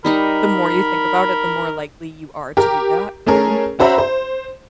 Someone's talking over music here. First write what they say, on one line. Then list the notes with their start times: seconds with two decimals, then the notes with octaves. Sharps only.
the more you think about it, the more likely you are to do that, too.
0.05 G3 D#4 A#4 D#5 B5
2.57 G4 A#4
3.27 A3 C#4 G#4 A#4
3.79 C#4 F#4 C5 E5 A#5 B5
3.98 C5